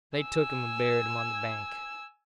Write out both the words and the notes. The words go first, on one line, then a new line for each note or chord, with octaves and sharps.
They took him and buried him on the bank.
G#5 E6